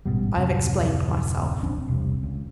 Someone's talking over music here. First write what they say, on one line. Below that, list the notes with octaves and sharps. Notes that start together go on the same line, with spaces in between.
I have explained myself.
A1 G#2 B2 G3
D1 F2 C3
E1 A#1 C4 D4
E1 C2 C3
C#2